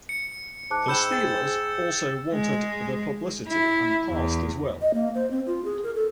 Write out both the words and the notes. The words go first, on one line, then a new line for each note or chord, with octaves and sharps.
The Steelers also wanted the publicity and passed as well.
C#7
G#2 A5 D6 F#6
G#4 G5 B5 E6 G6 E7
G5 A6
G#3
E4
E2
D#5
A#3
C5
C4
F4
G#4
A#4
A4